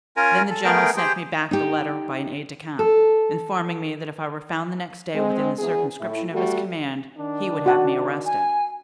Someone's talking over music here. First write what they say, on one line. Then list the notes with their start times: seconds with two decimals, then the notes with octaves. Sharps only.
"Then the general sent me back the letter by an aide-de-camp, informing me that if I were found the next day within the circumscription of his command, he would have me arrested."
0.17 C#4 F4 A#4 G#5 A#5
0.50 A4
0.64 A3 B3 G#4 A#4 G5
0.97 G4 G#4 C5 G5
1.51 D#4 G4
2.79 A4
5.15 G#3 C4
5.59 E2 G#4
6.00 A2 E4
6.32 G3 A3 F#4
7.17 D#3 D4
7.66 F#4 F#5 A5
8.25 G#5